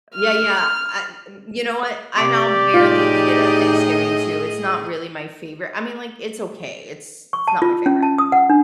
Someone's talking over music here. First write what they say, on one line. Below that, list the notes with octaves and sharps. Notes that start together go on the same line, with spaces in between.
Yeah. Yeah. Uh, n you know what? I, now, barely eat it at Thanksgiving too, it's not really my favorite. I mean, like, it's okay, it's it's not my favorite.
F6
C3 G4 D5 D6
A2 D#4 F4 G#4 D#5
C#6
A5
F4
C#4
A5
D#6
F#5
D4